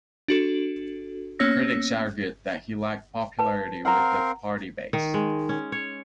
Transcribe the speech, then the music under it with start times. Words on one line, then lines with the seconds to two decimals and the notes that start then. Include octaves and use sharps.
Critics argued that he lacked popularity with the party base.
0.28 D4 F#4 A4
1.39 A#3 B3 C#4 C#5 E6 A#6
3.39 B4 A5
3.85 C4 A#4 F5 F#5 A#5
4.93 D#3
5.14 G#3
5.49 C#4
5.72 C#5